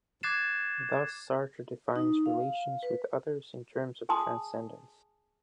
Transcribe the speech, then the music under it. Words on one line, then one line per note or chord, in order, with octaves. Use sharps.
Thus, Sartre defines relations with others in terms of transcendence.
D6 F#6 G#6 A6 C7 E7
D#4
F5
B4
G#4 G#5 A5 C6 D#6